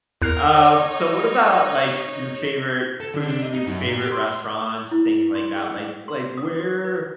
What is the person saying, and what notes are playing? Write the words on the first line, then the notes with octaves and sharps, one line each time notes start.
um, so what about, like, your favorite foods, favorite restaurants, things like that, like like, where
E2 A#4 F6 F#6 C7
D#4 C#5
A4
D3
D4
D#5
D#4
F#2
A#2
G4
C6
E4
E4
C6
G#4
F5
C6
D#6
F#4
B4